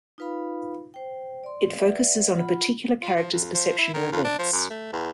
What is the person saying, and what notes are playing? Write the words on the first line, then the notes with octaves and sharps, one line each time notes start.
It focuses on a particular character's perception of events.
D#4 F4 B4 F5 B5
C5 G5
D5 C6
B4 D5 E5 F#5
F4 F#5 B5
F4
F3
F2
F3
E4
D#3
F2
D4
F3
F#2
A3
E2